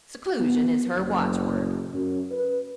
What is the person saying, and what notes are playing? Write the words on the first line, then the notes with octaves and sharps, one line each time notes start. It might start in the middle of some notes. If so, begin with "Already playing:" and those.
Seclusion is her watchword.
B3
F#1
F#2
B4